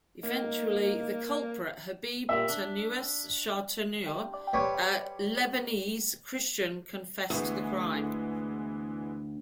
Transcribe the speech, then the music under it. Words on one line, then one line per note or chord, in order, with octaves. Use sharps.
Eventually, the culprit, Habib Tanious Shartouni, a Lebanese Christian, confessed to the crime.
A#3 D#4
A#2 G3 E5
D4
G3 B4 C#5 G5 D6
D2 E3 G#3 B3